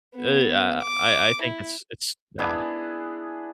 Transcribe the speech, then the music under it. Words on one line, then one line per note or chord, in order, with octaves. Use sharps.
Eh, uh, I I think it's it's bad.
B3
D6
E4
B3 D4 E4 G#4